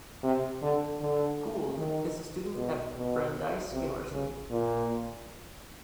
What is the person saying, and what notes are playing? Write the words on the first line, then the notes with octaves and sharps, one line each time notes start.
Gould is a student at Brandeis University.
C3
D3
D3
D#3
B2
B2
C3
C#3
A#2